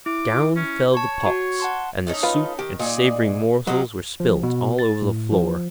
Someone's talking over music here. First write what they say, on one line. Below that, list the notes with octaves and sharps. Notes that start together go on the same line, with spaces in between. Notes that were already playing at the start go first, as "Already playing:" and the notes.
Down fell the pots, and the soup and savoury morsels were spilt all over the floor.
E4 D6
C#4
C#5 A5 C#6
F#4
F#5 A5 C6
A3 C#4 D#4
F4 B4 F5
D#3 G4
A#2 D#4 G#4 D5
F#3 D#4 F4 G4
F3
B2
A6
A2
F3